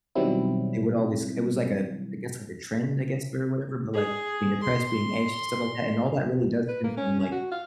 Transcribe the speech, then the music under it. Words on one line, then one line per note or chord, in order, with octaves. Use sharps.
they would always it was like a I guess, like, a trend, I guess, or whatever, but, like, being depressed, being anxious, stuff like that, and all that really does stem from, like
B2 D#3 F#3 G3 C4 E4
G#4
C6
B4
A#3
C#4
C#4
F#4
F5